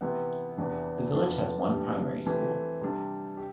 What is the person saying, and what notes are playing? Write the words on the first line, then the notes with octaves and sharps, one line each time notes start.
The village has one primary school.
C3 E3 B3
E2 C3 E3 B3 D4
F2 E3 B3 D4 F4
E3 G3 D4 G4
E3 A3 C4 G4
C3 G3 D4
G4